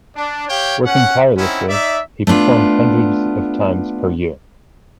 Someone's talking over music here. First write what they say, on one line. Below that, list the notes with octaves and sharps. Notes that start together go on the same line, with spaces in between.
Working tirelessly, he performed hundreds of times per year.
D4
G4 C#5 F5 G5
C#4 F#5
C4 C#4 D#4 E4 F#5
D#4 D5 E5
A3 B3 D4 F4